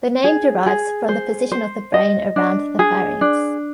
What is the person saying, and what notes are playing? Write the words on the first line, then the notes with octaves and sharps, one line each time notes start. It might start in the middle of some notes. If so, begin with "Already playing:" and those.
The name derives from the position of the brain around the pharynx.
G#4
G#4
C5
C5
D#5
D4
G#4
D4